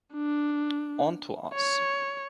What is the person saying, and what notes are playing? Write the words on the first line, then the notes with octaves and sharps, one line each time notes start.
On to us.
D4
C#5